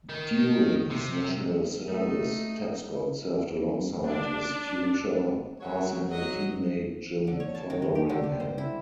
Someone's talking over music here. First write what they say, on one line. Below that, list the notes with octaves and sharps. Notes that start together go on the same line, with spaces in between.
During his national service, Tapscott served alongside his future Arsenal team mate Jim Fotheringham.
D#3
C3
A3 D#4
D4
C#3 F#3 C#5
F#3 D#5
D3
C#5
A5
D#3
G#3
G4
D3
G4
C5
E4